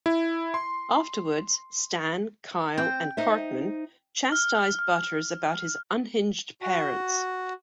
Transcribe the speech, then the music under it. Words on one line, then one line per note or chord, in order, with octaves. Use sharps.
Afterwards, Stan, Kyle and Cartman chastise Butters about his unhinged parents.
E4
C6
C4 C5 G5
D#4 C5 E5
F6
F6
F#4